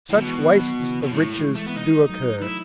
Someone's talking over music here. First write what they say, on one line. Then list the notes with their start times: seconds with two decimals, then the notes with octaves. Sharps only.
Such wastes of riches do occur.
0.10 A2
0.15 B2 D#3 F#3
0.27 E3 G#3
0.38 E3 G#3
0.48 D#3 F#3
0.80 C#3 E3
1.02 B2
1.12 A2 G#3
1.26 A3
1.38 E3 G#3
1.55 A3
1.66 B3
1.77 D#4
2.10 F#3 A3
2.42 F#3 A3 E4